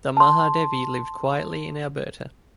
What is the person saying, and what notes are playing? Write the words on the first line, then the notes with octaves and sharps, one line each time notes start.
The Mahadevi lived quietly in Alberta.
A5 C6